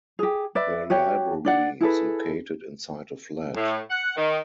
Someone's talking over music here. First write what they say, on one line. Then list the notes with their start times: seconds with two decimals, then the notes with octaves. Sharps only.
The library is located inside a flat.
0.19 G4 G#4
0.55 B4 D5 E5
0.90 F#4 G4 C#5 G5
1.45 D4 D5 F#5
1.81 E4 G#4 A4 B4
3.56 A2
3.90 F#5
4.16 D#3